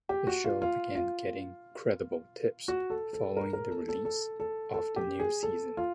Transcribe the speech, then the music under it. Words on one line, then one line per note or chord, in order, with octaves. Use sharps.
The show began getting "credible tips" following the release of the new season.
G4
F#4
F4
F4
F4
F#4
A4
A4
A#4
A#4
A4
A4
A4
A4
A4
G4
G#4
A4
F4